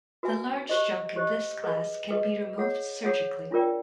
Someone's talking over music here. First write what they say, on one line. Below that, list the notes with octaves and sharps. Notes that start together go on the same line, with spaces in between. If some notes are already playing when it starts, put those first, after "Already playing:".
The large junk in this class can be removed surgically.
F#4 B4 E5 G#5
G4 C5 D#5
G4 C5 D#5
G#4 B4 D#5
G#4 B4 D#5
G#4 C#5 F#5
G#4 C#5 F#5
D4 F4 A#4 D5 G5